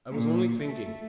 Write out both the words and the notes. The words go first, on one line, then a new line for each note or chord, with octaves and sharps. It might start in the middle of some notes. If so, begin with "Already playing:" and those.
I was only thinking.
A#2
A3